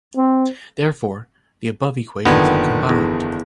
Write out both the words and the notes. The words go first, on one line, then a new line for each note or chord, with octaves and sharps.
Therefore, the above equations are combined.
C4
F#1 A#2 D3 D#3 B3
E2